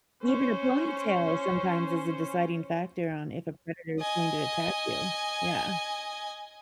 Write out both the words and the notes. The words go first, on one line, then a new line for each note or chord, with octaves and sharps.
Even a ponytail sometimes is a deciding factor on if a predator is going to attack you. Yeah.
C#4 C5
D#5 G#5